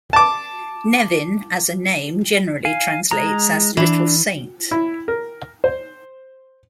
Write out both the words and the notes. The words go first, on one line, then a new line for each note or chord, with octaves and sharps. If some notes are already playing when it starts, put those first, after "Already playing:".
'Nevin' as a name generally translates as 'Little Saint'.
A5 D6
F5 G#5
G#3 A#5
E3 D4
E4
A#4
C5